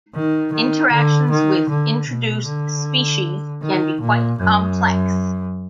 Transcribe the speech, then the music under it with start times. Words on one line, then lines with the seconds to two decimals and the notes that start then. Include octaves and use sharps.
Interactions with introduced species can be quite complex.
0.15 D#3
0.53 D#3
0.92 D3
1.30 D#3
1.69 D3
2.08 B2
2.46 D3
3.63 D#3
4.01 A#2
4.39 F#2